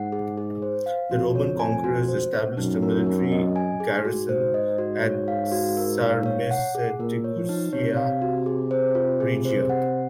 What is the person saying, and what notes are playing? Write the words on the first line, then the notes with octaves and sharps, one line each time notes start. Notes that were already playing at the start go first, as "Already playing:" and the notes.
The Roman conquerors established a military garrison at Sarmisegetusa Regia.
Already playing: G#2 F#5
G#4
G#4
C5
F5
F2 F#4
C#5
G#5
F#4
C5
C4
F#2 D#4
A#4
C4
D#5
G#5
G#4
G#2 F#4
C5
D#5
F#4
C#5
F5
F#4
A#4
F5
C#5
F#5
G#4
A#2 A#4
C#5
F3
D#4
C3 C#5
F5
F#4
G#4
C5
F4
G#4
C5
F#5